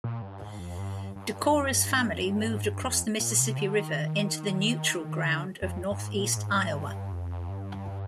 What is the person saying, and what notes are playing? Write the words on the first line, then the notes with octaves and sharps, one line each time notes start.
Decorah's family moved across the Mississippi River into the "Neutral Ground" of northeast Iowa.
A#2
G2
G#2
F2
G2
G2
F2
G2
G#2
F2
G#2
G2
G#2
G2
F2
A#2
C3
D3
D#3
D3
F2
G2
G#2
A#2
G#2
G#2
G2
F2
G2